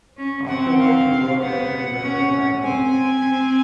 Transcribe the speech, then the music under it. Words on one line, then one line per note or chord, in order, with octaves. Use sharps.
Afterwards, he worked as an investment banker.
C#4
C4 F#5
F5
B3 F#5
C#4
C4 G#5
C4
C4